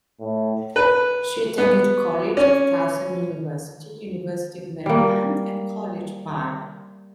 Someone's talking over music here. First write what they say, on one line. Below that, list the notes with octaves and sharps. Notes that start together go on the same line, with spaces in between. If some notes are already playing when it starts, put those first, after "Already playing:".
She attended college at Towson University, University of Maryland and College Park.
A2
B4
B3
C#4
G3 A#3